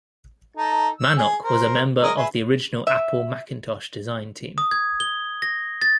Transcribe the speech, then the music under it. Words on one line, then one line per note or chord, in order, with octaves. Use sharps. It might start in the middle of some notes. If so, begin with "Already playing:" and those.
Manock was a member of the original Apple Macintosh design team.
D#4 A4
E6
G#4
A#4 C5
G#3 A#4 D#6
G#4 B4 E5
E5
D#6
G#6
G7
A#6
A6